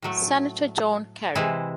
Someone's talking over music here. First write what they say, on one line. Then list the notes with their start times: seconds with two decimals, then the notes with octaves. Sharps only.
Senator John Kerry.
0.02 A2 F#3 A3
1.35 C3 E3 G#3 E4